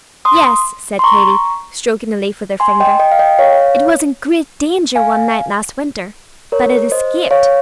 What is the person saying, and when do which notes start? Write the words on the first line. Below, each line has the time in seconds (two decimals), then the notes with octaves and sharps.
"Yes," said Katy, stroking a leaf with her finger, "it was in great danger one night last winter, but it escaped."
0.25 C6 D#6
0.99 C6
1.04 A#5 C#6
2.60 G#5 C6
2.80 D#5 G5
2.99 D#5 G5
3.12 F5
3.19 D#5 G5
3.39 C#5 F5
4.96 F5 G#5
6.52 A#4 C#5
6.92 C5 D#5
7.31 C#5 F5